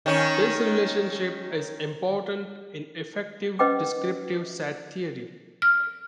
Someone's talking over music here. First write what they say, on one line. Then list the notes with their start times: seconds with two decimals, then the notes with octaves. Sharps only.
This relationship is important in effective descriptive set theory.
0.06 D#3 C#4
3.59 C#4 B4 D#5 F#5 G5 D6
5.62 F6